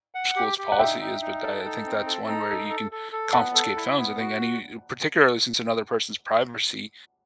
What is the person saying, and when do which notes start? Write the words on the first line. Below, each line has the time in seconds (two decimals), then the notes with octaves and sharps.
school's policy is, but I I think that's one where you can confiscate phones. I think any particularly since another person's privacy
0.15 F#5
0.36 G4
0.58 G4
0.72 F#5
0.79 D#4 E5 G5
1.00 D#4
1.21 D#4
1.43 A4
1.64 D#4
1.85 C4
2.06 A4
2.28 D#4
2.49 A4
2.69 A4
2.92 A4
3.12 A4
3.33 B3 F#5 A5
3.54 A4
3.76 E4
3.98 B3
4.19 F#4